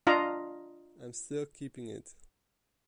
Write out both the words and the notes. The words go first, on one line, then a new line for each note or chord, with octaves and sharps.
I am still keeping it.
D4 F4 D#5 F5 A#5